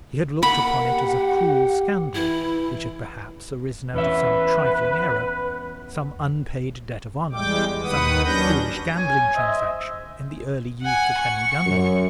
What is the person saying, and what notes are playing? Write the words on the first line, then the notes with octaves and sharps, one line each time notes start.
He had looked upon it as a cruel scandal, which had perhaps arisen out of some trifling error, some unpaid debt of honour; some foolish gambling transaction in the early youth of Henry Dunbar.
A#3 F#5 B5
G4
E3 E4
E2 C#4 B4 E5
E2 G3 G#3 G5 D6
D#2 D#3 B4 F#5 D#6
D#2 F#3 C#4 D4 G6 A#6
C#4 C#5 G#5
C5 D#5 E5
F#5 G#5
C#6
F#2